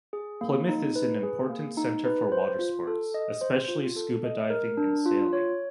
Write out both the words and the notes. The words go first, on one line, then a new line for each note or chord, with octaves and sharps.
Plymouth is an important centre for watersports, especially scuba diving and sailing.
G#4
A#3
D#4
B4
G#4
A#3
D#4
B4
C5
F4
A4
D#5
C5
F4
A4
D#5
A#4
D4
F4
C#5